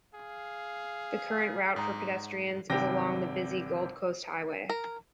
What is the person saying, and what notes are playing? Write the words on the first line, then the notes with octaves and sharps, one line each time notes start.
The current route for pedestrians is along the busy Gold Coast highway.
G#4 F5
G#2 A#5 D#6
G#1 G2 C3 G5 A#6
A#4